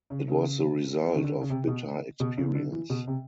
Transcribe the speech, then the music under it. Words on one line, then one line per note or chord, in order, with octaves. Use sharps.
It was the result of bitter experience.
C#3
C#3
D#3
D3
C#3
C3
B2
B2
C#3
D3
E3
B2
C3